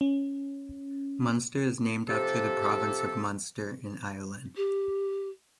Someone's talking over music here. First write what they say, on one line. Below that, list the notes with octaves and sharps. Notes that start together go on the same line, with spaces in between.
Munster is named after the province of Munster, in Ireland.
C#4
C3 F3 G4 A4
G4